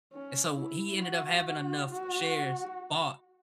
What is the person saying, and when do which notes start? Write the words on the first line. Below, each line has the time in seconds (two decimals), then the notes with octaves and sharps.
and so, he ended up having enough shares bought
0.13 C#4
0.58 E4
1.01 F#4
1.90 F#4